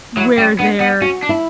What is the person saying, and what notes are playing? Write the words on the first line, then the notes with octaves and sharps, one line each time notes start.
where their
F#3 E4
G3 C#4
B3 D4
B3 D4
C#4 F#4
D4
E4